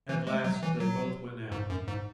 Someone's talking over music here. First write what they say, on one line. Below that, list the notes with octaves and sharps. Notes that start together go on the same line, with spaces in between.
At last they both went out.
E3
G#3
F#3
E3
F#3
G#2
F#2
G#2